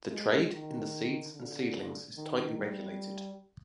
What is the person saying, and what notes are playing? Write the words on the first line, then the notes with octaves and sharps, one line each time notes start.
The trade in the seeds and seedlings is tightly regulated.
G#3
D#3
D3
D#3
G3